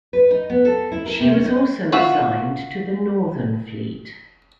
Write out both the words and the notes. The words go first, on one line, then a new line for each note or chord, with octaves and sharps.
She was also assigned to the Northern Fleet.
B4
D#4
B3
A4
E4
A#4
C3
C#4
D#4
F4 F#4 E5